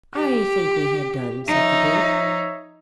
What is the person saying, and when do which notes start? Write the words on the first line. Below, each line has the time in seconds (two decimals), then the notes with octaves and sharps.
"I think we had done," said the Duke.
0.14 G4
1.48 F3 D#4 C#5 E5